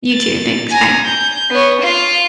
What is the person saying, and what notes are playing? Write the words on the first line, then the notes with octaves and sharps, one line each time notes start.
You too. Thanks. Bye.
A6
G#5 A#5
G6
B3 C#5
F4 F5